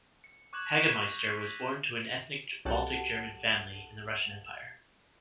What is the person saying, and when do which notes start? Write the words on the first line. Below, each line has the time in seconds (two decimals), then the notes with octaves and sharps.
Hagemeister was born to an ethnic Baltic German family in the Russian Empire.
0.24 C#7
0.53 C#6 D6 F#6 G#6 E7 F#7
0.79 C#6 G6 B6 D#7 E7
0.94 C#6 E6 A#6 F7
1.30 C#6
2.65 C2 F#3 G4 A4 F#5 A5